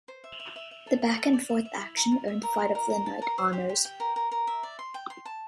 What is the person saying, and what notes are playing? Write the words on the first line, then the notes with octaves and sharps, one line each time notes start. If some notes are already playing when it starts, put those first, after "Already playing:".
The back and forth action earned "Fight of the Night" honors.
C5
E5
E5
E5
E5
A4
A4
A4
D5
E5
E5
E4
A#4
F4
E5
A#4
F4
A#4
A#4
A5
A#4
C5
G4
G4
G5
A#4
A#4
A#4
E5
D5
C6
G5
C6
A5